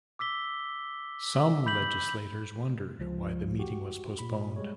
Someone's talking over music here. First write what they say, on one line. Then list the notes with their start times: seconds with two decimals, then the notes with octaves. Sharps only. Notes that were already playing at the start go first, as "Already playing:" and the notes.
Some legislators wondered why the meeting was postponed.
0.19 D6 E6 B6 G7
1.66 B5 G6 B6 F#7
2.99 C#2 F3
3.59 F#4 G4
4.19 A#2 B5
4.56 G3 G#3 C#5